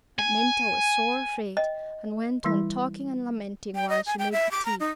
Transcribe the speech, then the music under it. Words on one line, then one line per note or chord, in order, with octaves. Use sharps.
But Minta was sore afraid, and went on talking and lamenting while she made the tea.
G#5
D#5 G5
E3 G3 E4
G5
D#5
G#5
G5
E5
D6
A#5
D#4